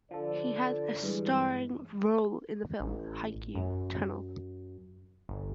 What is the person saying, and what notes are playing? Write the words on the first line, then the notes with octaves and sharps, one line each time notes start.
He had a starring role in the film "Haiku Tunnel".
D3 F3 A4 D5
G2 E3 G#3
A1
F#2
G1